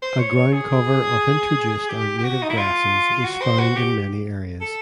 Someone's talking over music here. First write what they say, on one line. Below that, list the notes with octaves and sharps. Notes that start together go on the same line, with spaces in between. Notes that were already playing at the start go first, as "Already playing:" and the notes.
A ground cover of introduced and native grasses is found in many areas.
C5
C#5
C#5
G#4
G4
G4
F#4
D#4
E4
F4
F#4
C5
F#4
G4
A4